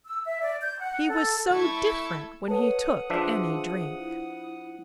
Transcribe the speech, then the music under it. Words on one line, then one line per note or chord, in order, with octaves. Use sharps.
He was so different when he took any drink.
E6
E5
D5
G6
F#5
A4
A3 E4 A4 C#6 G#6
A4 B4 C#5 F#5 A5 D#6
F3 D4 G#4 E5
E4